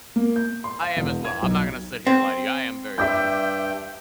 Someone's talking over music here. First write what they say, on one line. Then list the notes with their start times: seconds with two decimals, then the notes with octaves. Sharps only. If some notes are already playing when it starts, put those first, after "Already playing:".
I am as well. I'm not gonna sit here and lie to you. I am very excited as well.
0.16 A#3
0.36 G6
0.64 C6
0.82 F5
0.97 E1
1.25 G#6
1.43 B1
2.07 C4
2.98 G2 E5 G5 D6 G6